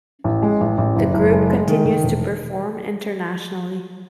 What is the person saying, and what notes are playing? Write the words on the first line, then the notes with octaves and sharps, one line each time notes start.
The group continues to perform internationally.
A1
G#3
A1
A1
F#1
F#1
G#3
G#3
D#3
D#3
E1